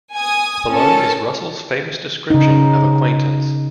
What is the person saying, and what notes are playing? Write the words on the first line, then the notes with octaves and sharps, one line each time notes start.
Below is Russell's famous description of acquaintance.
G#5 D#6
C#4 A4 A#4 A5
C#3 D#4